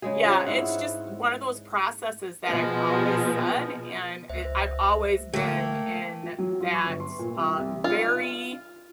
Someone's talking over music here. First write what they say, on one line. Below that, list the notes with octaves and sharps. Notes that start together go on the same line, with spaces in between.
Yeah, it's just one of those processes that I've always said, and, eh I've always been in that, uh, very
C#3 G#3 G#4
C4 F4 C#5
G#2 E4 F#5
B2 F3 G#3 B3
C#2 C5 E5
D3 A3 A#3 G5 G#6
F3
F#3
F4
C#6
G1
C6
A#2
C2
C2
F4